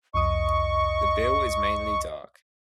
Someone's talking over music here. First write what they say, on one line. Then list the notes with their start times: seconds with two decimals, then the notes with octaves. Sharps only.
The bill is mainly dark.
0.14 C2 F2 D#5 C#6 D#6